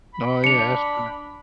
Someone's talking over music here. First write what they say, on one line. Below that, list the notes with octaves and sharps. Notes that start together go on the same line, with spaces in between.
No, yeah. That's correct.
B5
D4 C#7 F7